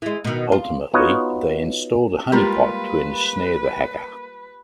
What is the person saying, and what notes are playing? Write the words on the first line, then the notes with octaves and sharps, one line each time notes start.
Ultimately, they installed a honeypot to ensnare the hacker.
E3 G#3
B2 D#3
F4
B3 D#4 F4 F#4 C#5
G3 G#3 A#3 F4 G4 B4